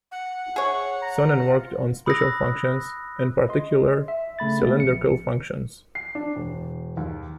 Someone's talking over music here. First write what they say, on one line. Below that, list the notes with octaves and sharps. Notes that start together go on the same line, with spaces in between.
Sonin worked on special functions, in particular cylindrical functions.
F#5
G#4 C#5 E5
A#5
F4
B5 D#6 E6 F#6 A#6
D#5 C6
E5
C#3 A3 B5 A6
G#3 A3 B3
A#1 C#7
C7
D4
E1
D#2